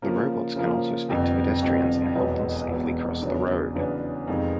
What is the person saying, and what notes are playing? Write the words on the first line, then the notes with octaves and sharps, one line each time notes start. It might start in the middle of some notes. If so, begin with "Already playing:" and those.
The robots can also speak to pedestrians and help them safely cross the road.
C#3 F3 A#3
C#3 F3 A#3
G1 F2 C3
G1 F2 C3
E1 E2 B2 F#3 B3
E1 E2 B2 F#3 B3
E2 C#3 F#3 B3 D4
E2 C#3 F#3 B3 D4
F2 C3 D#3 G#3